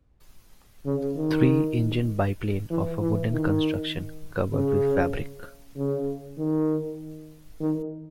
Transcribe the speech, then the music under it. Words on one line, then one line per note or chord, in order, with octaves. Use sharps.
Three-engine biplane of a wooden construction, covered with fabric.
C#3
D#3
E3
E3
D#3
C#3
C#3
D#3
D#3